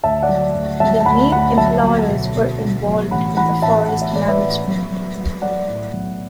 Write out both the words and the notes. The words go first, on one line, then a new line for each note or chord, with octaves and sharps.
The main employers were involved in the forest management.
D2 E5 A5
D5 F#5
F#3
D2
F#3 E5 A5
A5
D2 F#5 B5
D2 F#5 B5
B1 E5 A5
F#3
B2
B2
B2
B1
A1 F#5 B5
E3 F#5 B5
A2 E5 A5
A1 F#5
E5
A1 D5
B4 E5
A2
B1
F#3
F#3
F#3 D5 F#5
A2
B1